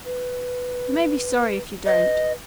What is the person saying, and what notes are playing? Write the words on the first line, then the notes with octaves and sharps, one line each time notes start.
"You may be sorry if you don't."
B4
B4 D#5